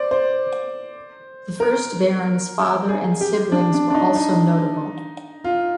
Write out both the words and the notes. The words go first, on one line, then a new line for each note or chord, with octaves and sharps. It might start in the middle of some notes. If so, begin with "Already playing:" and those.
The first Baron's father and siblings were also notable.
Already playing: C5 D5
C5
A#4
G#4
G4
D4
D4
D4
D#4
D#4
F4